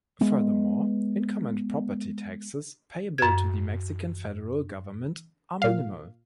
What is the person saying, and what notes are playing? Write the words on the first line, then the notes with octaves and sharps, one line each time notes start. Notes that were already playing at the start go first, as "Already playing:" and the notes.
Furthermore, income and property taxes payable to the Mexican Federal Government are minimal.
G#3 B3
F#2 G#6
A#2 F5